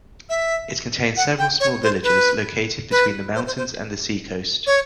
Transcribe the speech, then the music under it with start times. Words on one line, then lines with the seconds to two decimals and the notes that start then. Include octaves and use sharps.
It contains several small villages located between the mountains and the seacoast.
0.29 E5
1.17 F#5
1.39 G5
1.60 C#5
1.83 C5
2.04 B4
2.91 B4
3.35 C5
3.46 C5
3.57 C5
4.67 C#5